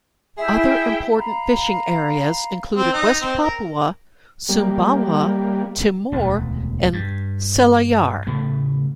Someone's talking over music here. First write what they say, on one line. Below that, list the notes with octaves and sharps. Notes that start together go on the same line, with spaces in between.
Other important fishing areas included West Papua, Sumbawa, Timor and Selayar.
E4 G#4 E5 G5
F5 A#5 B5
C4
D#4
C4
A#4
G3 A#3
E1 D2 A3
G2
A2 C#3 A3